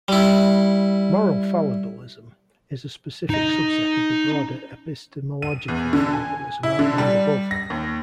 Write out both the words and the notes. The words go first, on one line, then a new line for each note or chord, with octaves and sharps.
Moral fallibilism is a specific subset of the broader epistemological fallibilism outlined above.
G3 E4
D#4 D#5
D#7
E2
D3
G#5
E4
D3
G3
A#6
D#2